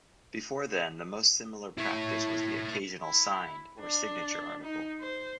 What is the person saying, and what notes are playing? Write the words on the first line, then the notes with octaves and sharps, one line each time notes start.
Before then, the most similar practice was the occasional "signed" or "signature" article.
E4 C#5
E4
D4
D#4
C5